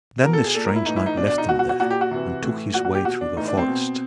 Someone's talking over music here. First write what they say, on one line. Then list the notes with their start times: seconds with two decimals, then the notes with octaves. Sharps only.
And then this strange knight left them there, and took his way through the forest.
0.23 B2 A#4
0.33 A4
0.44 G#4
0.54 A#2 A4
0.65 A#4
0.75 E4
0.86 A2 E3 D#4
0.96 E4
1.06 D#4
1.17 B2 D4
1.27 D4
1.38 D#4
1.49 B2 F#4
1.59 F#4
1.69 F#4
1.80 A#2 F#4
1.91 G4
2.01 F#4
2.11 C3 E3
2.42 A2 E3
2.74 A#2 F#4
2.85 F#4
2.95 G4
3.05 B2 F#4
3.21 D4
3.37 A2 E3 D#4
3.48 D4
3.57 C4
3.68 B2